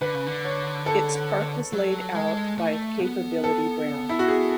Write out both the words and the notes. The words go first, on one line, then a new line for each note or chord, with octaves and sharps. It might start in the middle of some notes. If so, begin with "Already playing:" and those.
Its park was laid out by Capability Brown.
D3 B4
C#3
D3
C#5
A4
F#3
G#3
A3
B3
A4
E4
F#4
G#4